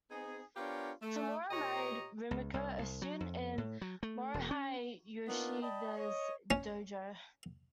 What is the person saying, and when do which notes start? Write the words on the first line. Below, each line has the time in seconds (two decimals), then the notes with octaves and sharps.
Tamura married Rumiko, a student in Morihei Ueshiba's dojo.
0.11 B3 C4 D#4 G#4
0.56 B3 D4 F4 G4 A#4 C#5
1.02 A3
1.51 A#2 G4 C#5 D#5 A#5
2.31 C#2
2.54 C2
2.78 C2
3.02 F#3
3.21 F2
3.58 A2
3.82 F#3
4.03 A3
4.34 E1
4.51 C#4
5.28 A#3 B3 D4 D#4 F4
5.62 D5 D#5 G5 A5 B5
5.97 C#5 D#5
6.51 C#4